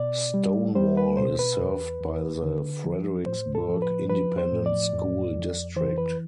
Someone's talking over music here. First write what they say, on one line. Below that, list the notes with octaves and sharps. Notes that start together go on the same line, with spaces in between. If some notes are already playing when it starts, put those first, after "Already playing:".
Stonewall is served by the Fredericksburg Independent School District.
Already playing: B2 D5
G3
G3 C5
B4
B2 C5
B4
E2
E2
D3
F3
A2 C5
A4
F3
B4
F3 B4
C5
A2
D5
F2
F2
E3 C5
B4